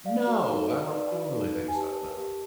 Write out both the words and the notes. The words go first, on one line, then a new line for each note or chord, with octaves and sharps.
No, I don't I don't really think so, no.
D5 F5
F#4
D#4
B4
D5
F#4
D#4
B4
G#5
G4 A5
A#4
G4